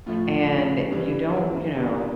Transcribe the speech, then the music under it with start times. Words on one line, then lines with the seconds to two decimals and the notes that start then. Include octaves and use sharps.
and you don't, you know
0.06 A2 F3 A3 F4
0.91 G2 E3 G3
1.32 E4
1.75 E2 D3 G3